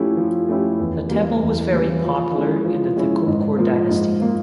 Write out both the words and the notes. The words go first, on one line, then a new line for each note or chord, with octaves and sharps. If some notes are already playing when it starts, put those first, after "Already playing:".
The temple was very popular in the Thekkumkur dynasty.
Already playing: F3 A3 C#4 E4 G4
F3
A3 C#4 E4 G4
E2
C#3 E3 G3 A#3
E2
C#3 E3 G3 A#3
F3
G#3 C#4 E4
F3
G#3 C#4 E4
G#2
F3 A#3
G#2
F3 A#3